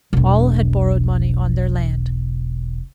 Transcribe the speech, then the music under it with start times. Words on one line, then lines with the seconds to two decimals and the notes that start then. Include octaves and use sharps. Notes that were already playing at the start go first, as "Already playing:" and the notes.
All had borrowed money on their land.
0.13 E1 B1